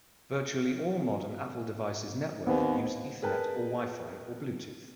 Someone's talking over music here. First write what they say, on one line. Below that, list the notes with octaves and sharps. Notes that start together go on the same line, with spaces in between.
Virtually all modern Apple devices network use Ethernet or Wi-Fi or Bluetooth.
D#2 B3 C4
G#4 A#4 B4 G5 A5